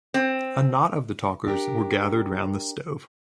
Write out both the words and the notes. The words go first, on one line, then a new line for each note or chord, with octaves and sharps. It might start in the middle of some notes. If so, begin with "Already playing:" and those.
A knot of the talkers were gathered round the stove.
C4
D4 G4 A#4